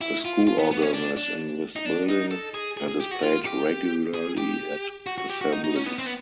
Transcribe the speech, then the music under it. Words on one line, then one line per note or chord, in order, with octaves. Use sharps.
The school organ is in this building, and is played regularly at assemblies.
E4
F4
F4
B3
B3
C#4
D4
D4
D#4
D4
D#4
A4
G#4
G#4
G#4
G4
F#4
F4
G4
G#4
G4
F#4
F#4
G4
F#4
D#4
D#4
C#4
B3
C4
B3